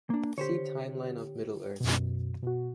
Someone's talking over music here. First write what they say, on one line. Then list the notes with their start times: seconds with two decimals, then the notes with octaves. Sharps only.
See Timeline of Middle-earth.
0.10 A#3 D4
0.38 D3 G4 C5 C#5
1.80 F#2 B2
2.43 B2 F#4